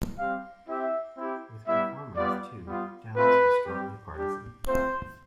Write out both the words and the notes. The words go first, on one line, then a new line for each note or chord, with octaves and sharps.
With performers, too, Downes was strongly partisan.
G3 C4 G4 F5
C4 E4 G4 E5
C4 E4 G4
G3 B3 E4 E5
G3 B3 F4 D5
G3 B3 F4
A3 C4 F4 B4
G3 C4 G4
G3 D4 G4
A3 C4 F4 C5